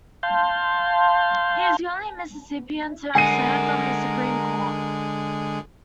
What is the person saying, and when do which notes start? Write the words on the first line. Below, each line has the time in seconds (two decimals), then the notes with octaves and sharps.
He is the only Mississippian to have served on the Supreme Court.
0.23 F5 A5 C6 G6
3.15 D3 G#3 G#4 A#4 F#5 G#5 C7 D#7